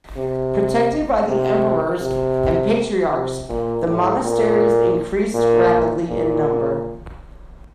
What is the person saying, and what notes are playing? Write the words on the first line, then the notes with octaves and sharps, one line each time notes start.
Protected by the emperors and patriarchs the monasteries increased rapidly in number.
C3
C3
C3
C3
A#2
A2
A#2
A#2
A#2